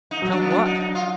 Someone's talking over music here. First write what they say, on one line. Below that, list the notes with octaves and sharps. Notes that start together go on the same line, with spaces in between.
"Count what?"
D#4
F#3
D4
B3
D4
D#4
D#4
F4